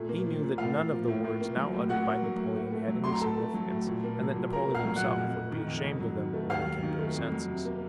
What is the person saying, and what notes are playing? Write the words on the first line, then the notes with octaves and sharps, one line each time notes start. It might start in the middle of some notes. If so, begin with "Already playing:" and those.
He knew that none of the words now uttered by Napoleon had any significance, and that Napoleon himself would be ashamed of them when he came to his senses.
Already playing: A#2 A3
A#3
F3
A#2
A2 F4 F5
A#3
F3
A2
A2
A#3
F#3
A2
A2 F#4 F#5
A#3
F#3
A2
A2
A3
F#3
A2 C6
A#5
A2 A4 A5
A3
F#3
A2
A#2
A#3
F#3
A#2
A#2 A#4 A#5
A3
F5 F6
F#3
F#5 F#6
A#2
F2
A3
D#3
F2
F2
F#3
D#3
A3
D#2 F5 F6
F#3
D#3
A3
F2
F#3
C3
A#3